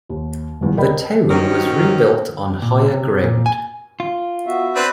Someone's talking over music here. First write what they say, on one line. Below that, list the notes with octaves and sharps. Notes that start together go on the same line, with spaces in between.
The town was rebuilt on higher ground.
D#2
G1 E2 G#2
A#4 B4 D5 D#5 G5 B5
F#2 D#3 F#3 C4 C#4
A#2
C3
A#2
G#5
F4
B3 F#4 E5
C4 D4 B4